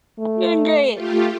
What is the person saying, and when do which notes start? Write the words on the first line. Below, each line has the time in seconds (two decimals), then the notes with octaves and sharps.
Doing great.
0.19 A3
0.94 A3 F4 G4